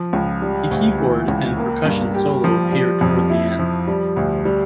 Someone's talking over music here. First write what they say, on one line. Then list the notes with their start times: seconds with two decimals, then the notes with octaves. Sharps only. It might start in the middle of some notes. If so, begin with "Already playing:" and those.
A keyboard and percussion solo appear toward the end.
Already playing: F3
0.13 C#2
0.42 G3
0.71 D2
0.99 E3
1.28 C#2
1.57 A#3
1.86 G2
2.14 G4
2.44 F3
2.72 G3
3.01 F2
3.30 E4
3.59 F3
3.88 G3
4.16 D2
4.45 G3